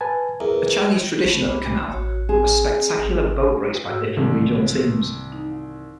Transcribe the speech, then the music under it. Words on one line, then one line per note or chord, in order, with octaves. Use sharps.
A Chinese tradition at the canal, a spectacular boat race by different regional teams.
B4 G#5 A5
E2 A#4
B1 A3 B3 C#4
C2 C5 B5 D6
A1 F#4 C#5
C4 G#4
G#1
G#2 F#4 E6
C2 D#3 E3 A#3
D#4